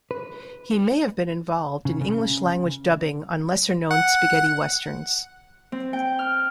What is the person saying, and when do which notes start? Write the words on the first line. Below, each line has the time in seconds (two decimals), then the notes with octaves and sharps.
He may have been involved in English-language dubbing on lesser-known spaghetti westerns.
0.11 B4
1.85 C#3
2.01 C#3
3.91 F#5
5.72 C4
5.93 G5
6.19 F6